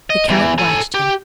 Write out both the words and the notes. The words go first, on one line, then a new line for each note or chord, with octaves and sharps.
The count watched him.
D#5
E2 E3
A4 G#5
G4